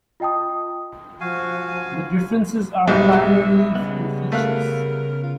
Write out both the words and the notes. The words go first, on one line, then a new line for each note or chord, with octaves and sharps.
The differences are primarily in features.
F4 D#5 G5 A5 D#6
F3 F#4 F5 G#5
B1 G#2 B2 G3 E5
C#3 B3 D#4
A3 A#4 F5 F#6
F4